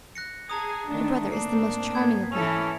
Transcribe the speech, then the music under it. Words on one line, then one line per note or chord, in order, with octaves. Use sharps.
Your brother is the most charming of men.
F#6 A#6 C#7
G#4 A5 A#5 D#6
D3 D#3 A3 D4
G#2 A#3 C4 D4 C7
B3 G#6
E3 C#4 E4 A4 F7